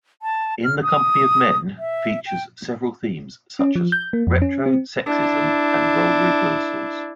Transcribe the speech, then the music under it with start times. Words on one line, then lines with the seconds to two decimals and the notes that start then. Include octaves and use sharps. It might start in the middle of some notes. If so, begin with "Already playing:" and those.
"In the Company of Men" features several themes such as retro-sexism and role reversals.
0.22 A5
0.64 F6
0.82 D#6
1.78 E5
2.26 G5
3.59 C#4
3.75 F3
3.92 G6
4.13 A#3
4.27 F2
4.42 C#4
4.66 C4
5.06 D4 E4